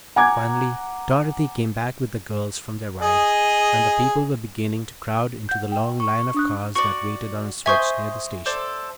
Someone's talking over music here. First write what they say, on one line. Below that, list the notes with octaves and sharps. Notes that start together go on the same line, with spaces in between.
Finally Dorothy came back with the girls from their ride, and the people were beginning to crowd into the long line of cars that waited on a switch near the station.
F#5 G#5 A#5 D6 G#6
G#4 D#5
F#5 G6
G5
C#6
D4 D#6 F#6
F#4 D5 C#6
C5 D#5 E5 G#5 C#6 G6
A4 C5 D5